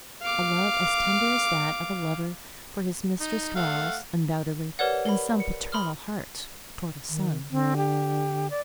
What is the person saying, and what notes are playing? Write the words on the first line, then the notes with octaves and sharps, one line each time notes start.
A love as tender as that of a lover for his mistress dwells, undoubtedly, in some paternal hearts toward a son.
F5 D6
D#4
A3 F5 F#5
G4 A#4 B4 C#5 D5 F#5
A#4 B5
C#7
B5 C6 D#6 F6
D#3
D3 C4
G4
D5